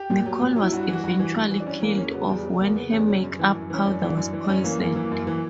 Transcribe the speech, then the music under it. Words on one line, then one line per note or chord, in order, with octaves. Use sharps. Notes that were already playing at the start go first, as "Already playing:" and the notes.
Nicole was eventually killed off when her makeup powder was poisoned.
Already playing: G4
A#2
F#3
A#2
F#3
E4
G2 F#4
F#4
E3
F#4
G2
E3
G2
E3
D4
G2 C#4
E3 A#3
E2 C#4
C#3 F#3 B3
E2 G3
C#3 F#3 G3
E2 A#3
C#3 F#3 B3
E2 C#4
D4
C#3 F#3 C#4
F#2
E3
F#2
E3 C#4
F#2 D4
E3
F#2
E3
D4
F#2 C#4
E3 A#3
F#2
E3
F#2
E3